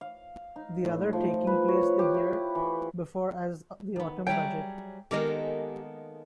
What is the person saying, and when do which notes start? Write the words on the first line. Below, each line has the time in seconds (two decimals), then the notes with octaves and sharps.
The other taking place the year before as the Autumn Budget.
0.01 F5
0.56 D#4
0.85 A2
1.13 F3
1.47 B4
1.68 C#5
1.99 G4
2.14 E4
2.55 E3
3.96 D#3 B3
4.27 F#3 G3 G#4 C#5 E5 G5
5.11 D#3 G#3 A#3 B3 G4 A4 A#4 D#5